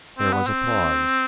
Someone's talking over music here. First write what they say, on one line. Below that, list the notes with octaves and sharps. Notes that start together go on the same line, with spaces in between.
There was a pause.
C4
B3
C4